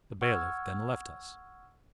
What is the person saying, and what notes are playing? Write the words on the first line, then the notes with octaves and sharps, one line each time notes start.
The bailiff then left us.
F#5 C#6 E6 F6 G#6